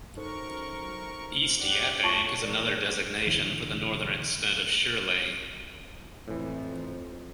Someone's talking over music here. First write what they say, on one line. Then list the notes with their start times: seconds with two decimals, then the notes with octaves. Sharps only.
East Yaphank is another designation for the northern extent of Shirley.
0.17 F#2 D#4 A4 A#4 C5 C#6
1.59 F2 G4 D5 F#5
2.03 F2 A3 F4 C#5 G#5 A5 C#6 C7
2.42 A#2 E3 A#4 D5
3.26 F#1 B1 D3 E3
6.28 F2 A2 E3 F3